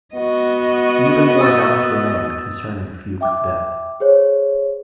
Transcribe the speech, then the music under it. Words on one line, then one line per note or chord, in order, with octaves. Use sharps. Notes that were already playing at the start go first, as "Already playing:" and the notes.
Even more doubts remain concerning Fuchs' death.
B3 F#4 D#5
D#6 E6 A6
E5 G5 D6
G#4 C5 C#5